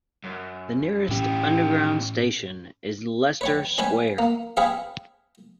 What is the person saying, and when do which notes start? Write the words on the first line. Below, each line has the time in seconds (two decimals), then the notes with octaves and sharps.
The nearest Underground station is Leicester Square.
0.24 F#2
1.09 A2 E3 C#4 G4
3.41 B4 C#5 G5
3.78 C#4 B4 C5 G5 G#5
4.18 A#3
4.57 C4 G#4 B4 F5 G5